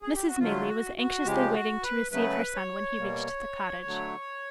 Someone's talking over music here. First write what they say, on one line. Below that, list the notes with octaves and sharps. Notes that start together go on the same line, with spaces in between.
Mrs. Maylie was anxiously waiting to receive her son when he reached the cottage.
G#4
G4
F#4
D3 F#3 A3 F4
F#4
F#4
C#3 F3 G#3 G4
F#4
B4
C#3 F#3 A3 B4
C#5
B2 G3 A#3
D3 F#3 A3